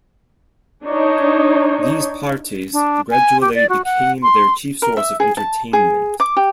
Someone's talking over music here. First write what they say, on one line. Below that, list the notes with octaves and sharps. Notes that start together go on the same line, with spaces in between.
These parties gradually became their chief source of entertainment.
D4 D#4 C#5
D4
G#5
G4
D5
F#4
F#5
C6
A#4
E5
G#4
A5
G#4
D6
G4